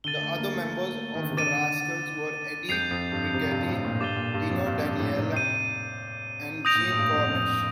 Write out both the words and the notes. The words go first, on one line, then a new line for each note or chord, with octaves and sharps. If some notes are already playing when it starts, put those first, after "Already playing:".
The other members of The Rascals were Eddie Brigati, Dino Danelli and Gene Cornish.
D3 A6 D#7 G7
A3
A#3
A3
A#3
A3
D#3
D3
C3
D3 D6 A6 D#7
F2 G6 C7 F7
F2
G2
C3
G2
A2
A#2
G2 D6 A6 D#7 G7
A#2
G2
F2
G2
G2
A2
C3
G6 C7 D#7
D#6 G6 A#6 D7 F7
A#2
A2
A2
G2
F2
F2